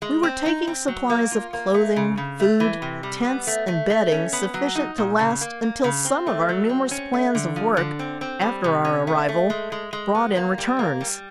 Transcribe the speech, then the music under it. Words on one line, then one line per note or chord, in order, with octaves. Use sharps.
We were taking supplies of clothing, food, tents and bedding sufficient to last until some of our numerous plans of work after our arrival brought in returns.
G#3
C4
D#4
C4
F#3
A#3
F4
A#3
A3
C#3
C#3
A3
E3
C3
G3
B3
A3
A3
A3
C#4
B3
F#3
D#4
A#2
C#3
A#3
A#3
C#3
C4
A3
F#3
C4
C#4
A3
D3
F3
D3
C4
C4
G3
C3
C#4
A3
A3
G#3
G#3
G#3
B3
A#3
G3
A#3
G3